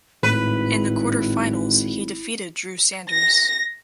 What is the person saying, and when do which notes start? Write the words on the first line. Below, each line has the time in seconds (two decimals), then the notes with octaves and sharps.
In the quarterfinals he defeated Drew Sanders.
0.23 G#1 A2 E4 B4
3.11 A#6